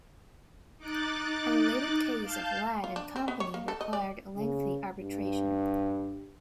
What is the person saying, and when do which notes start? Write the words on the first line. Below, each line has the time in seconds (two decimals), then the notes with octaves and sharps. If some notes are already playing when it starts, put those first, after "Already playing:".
A related case of Ladd and Company required lengthy arbitration.
0.78 D#4 D6 F#6 A6
2.22 F5 A5 G6
2.84 F4
2.96 D4
3.16 C4
3.28 B3
3.40 C#5
3.54 A#3
3.68 A4
3.81 D#5
3.93 D5
4.36 C#3
5.00 G2